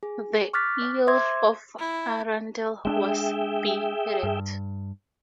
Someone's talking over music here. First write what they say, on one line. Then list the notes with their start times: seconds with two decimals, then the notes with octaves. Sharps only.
The Earl of Arundel was beheaded.
0.03 G#4
0.53 C#6 D6 F6 F#6 A6 B6
1.07 C5 E5 C6 D6 G#6
1.78 E4
2.85 G#3 C#4 D4 G#4 E5 G5
4.23 G2